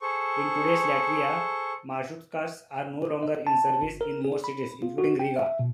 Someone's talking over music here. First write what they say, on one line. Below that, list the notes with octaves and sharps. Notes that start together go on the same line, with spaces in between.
In today's Latvia, marshrutkas are no longer in service in most cities, including Riga.
G#4 A4 C5 C#6
D#5
A5
G1
A#4
G#4
B5
F4
F#4
G5
E5
B2